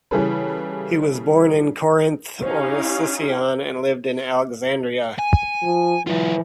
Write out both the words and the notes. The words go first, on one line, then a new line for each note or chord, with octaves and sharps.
He was born in Corinth or Sicyon, and lived in Alexandria.
C#3 E3 G3 G#4 A4 B4
C#4 D#4 E4 G4 F5
G#5
F3
E3 F#3 F4